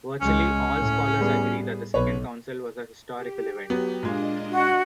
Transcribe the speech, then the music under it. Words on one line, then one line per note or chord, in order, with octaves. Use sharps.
Virtually all scholars agree that the second council was a historical event.
C#2 G#3 C#4
A2
G3 B3 G#4
B1 B4 C#5
G4
F#3 B3
A#2 G#3 A#3 D4 D#5
F#4